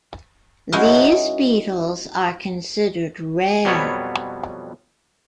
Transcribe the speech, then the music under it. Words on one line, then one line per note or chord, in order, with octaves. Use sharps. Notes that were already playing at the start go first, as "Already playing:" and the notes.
These beetles are considered rare.
G#3 C#4 D#4 E4 F#4 A#4
F2 B2 F#3 G3 B3 C#5